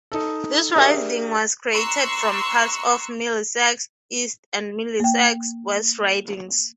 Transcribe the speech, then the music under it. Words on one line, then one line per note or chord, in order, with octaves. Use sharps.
This riding was created from parts of Middlesex East and Middlesex West ridings.
D#4 A4
D4 G4 G#4 A#4 E5
A#5 C6 C#6 E6 F#6
A#3 G5